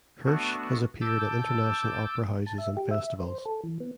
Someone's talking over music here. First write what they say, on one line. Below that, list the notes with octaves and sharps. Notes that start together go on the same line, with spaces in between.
Hirsch has appeared at international opera houses and festivals.
A3 B3 D4 F#4
A5 D6 E6 G6
A5
E5
G4
E5
C5
A4
E3
B3